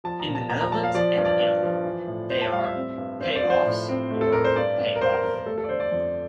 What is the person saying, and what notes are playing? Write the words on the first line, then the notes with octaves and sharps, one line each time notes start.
In the Netherlands and Italy, they are "pay offs" or "pay-off".
F3 A5
A#5
A#2
A5
A#2 A#5
A#5
F3 A5
F5
F3 D5
G2
D5
G2
F3
E3
A2
A2 C5
A5
G3 F5
E5
C4
G2
G2 C5
C5
D5
F3
C5
A2
C4
A3
A4
A2 A#4
C5
G2 D5
G2
A#4
G2 C5
A#4
G2 A#4
A#4
A3 A4
A4
D5
D3 C5
D5
F2